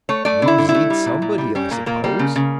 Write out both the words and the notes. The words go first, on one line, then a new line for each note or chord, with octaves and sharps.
"You zid somebody, I suppose?"
A3 C#5
A3 D5
D3
E4
D3
E4
A3
G3
A#2
A#2
G3
G3 C#4
A#2 A#3
A#2 A#3
G3 A#3
C#3
C#3